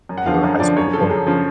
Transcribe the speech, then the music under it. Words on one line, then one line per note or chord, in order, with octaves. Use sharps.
your high school diploma.
F#2
F#5
D3 F3 F5
F#5
F#2 F5
D3 F3 D5
F#2 C#5
C#3 F3 A4
F#2 G#4
C#3 F3